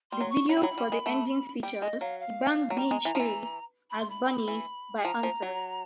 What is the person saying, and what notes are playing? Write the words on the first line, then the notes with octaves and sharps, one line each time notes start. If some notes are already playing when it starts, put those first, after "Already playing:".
The video for The Ending features the band being chased as bunnies by hunters.
G3 C6
F#3
C#6
F#3 B5
G3
F#3
G3
G#3
A3
G3 G5
G#3 D#5
F#3 F5
F5
F#3
G3 A#5
G#3
E3
F3
E3
B5
C6
B5
E3
F3 A#5
F3
F#3